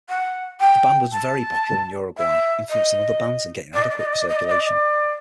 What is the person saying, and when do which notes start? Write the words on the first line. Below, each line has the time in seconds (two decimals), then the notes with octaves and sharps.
The band was very popular in Uruguay, influencing other bands and getting adequate circulation.
0.09 F#5
0.60 G5
1.12 A5
2.17 E5
2.69 D#5
3.73 D5
3.82 D#5
3.90 D5
3.98 D#5
4.05 D5
4.13 D#5
4.21 D5
4.28 D#5
4.36 D5
4.44 D#5
4.51 D5
4.60 D#5
4.67 D5